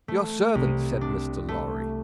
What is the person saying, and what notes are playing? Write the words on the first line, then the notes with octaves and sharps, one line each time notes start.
"Your servant," said Mr. Lorry.
A3
C2
D4
A3